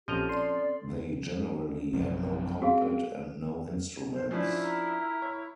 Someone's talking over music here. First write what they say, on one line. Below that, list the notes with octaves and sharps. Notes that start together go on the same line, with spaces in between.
They generally had no cockpit and no instruments.
A#1 F3 C4 C#4 G4 A4 D#5 A#5
D5 C6
A#1 F#2 C3
C4 F#4 G#4 F5
C5
F3 A3 C#4 D4 E4
A#4
C#5